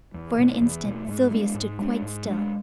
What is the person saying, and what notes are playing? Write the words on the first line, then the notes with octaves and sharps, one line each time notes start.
For an instant Sylvia stood quite still.
E2
B2 A3
E2
B2 A3
G#2
G#3 B3 D4
G#2
G#3 B3 D4
G#2
G#3 B3 D4